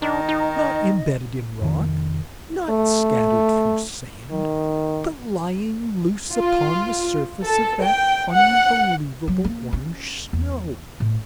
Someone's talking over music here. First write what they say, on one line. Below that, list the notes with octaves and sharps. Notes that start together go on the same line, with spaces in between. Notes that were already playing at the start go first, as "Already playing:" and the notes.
Not embedded in rock, not scattered through sand, but lying loose upon the surface of that unbelievable orange snow!
D#3 D4 D#5
D#4
F1 D#3
A3
D#3
F4
A4
G5
F#5
F#3
A#3
C#4
E2
A2